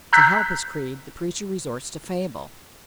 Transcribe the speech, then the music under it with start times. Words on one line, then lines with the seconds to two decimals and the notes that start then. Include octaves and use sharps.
To help his creed, the preacher resorts to fable.
0.13 A#5 E6 F#6 G6 A6 B6